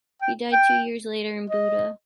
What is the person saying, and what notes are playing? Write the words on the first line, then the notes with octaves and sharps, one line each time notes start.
He died two years later in Buda.
G5
G5
D#5